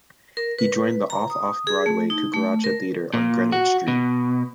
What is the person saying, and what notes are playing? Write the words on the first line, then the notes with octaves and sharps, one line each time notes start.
He joined the off-off-Broadway Cucaracha Theater on Greenwich Street.
A#4
B4
A#5
D#6
G#4
A3
D#4
A3
A#4
A#2
F#4
B2